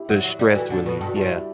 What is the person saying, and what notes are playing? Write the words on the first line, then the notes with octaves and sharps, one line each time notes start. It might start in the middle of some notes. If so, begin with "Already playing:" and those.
the stress relief, yeah.
Already playing: E4 G4
F#3
F#3
G3
E3 F#4 A4
D3
B2
G2
F#4
G2 E4 G4